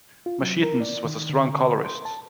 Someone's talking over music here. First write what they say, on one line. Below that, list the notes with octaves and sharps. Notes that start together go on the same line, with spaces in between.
Machetanz was a strong colorist.
F4
F#3
A#4
D5
D#3
D3
C6
A5